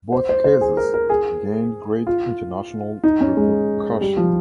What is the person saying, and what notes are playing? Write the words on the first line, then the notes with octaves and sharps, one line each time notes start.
Both cases gained great international repercussion.
C5
C5
C5
G#4
A#4
A#4
G#4
F4
D#4
C#4
G#3
G3
F3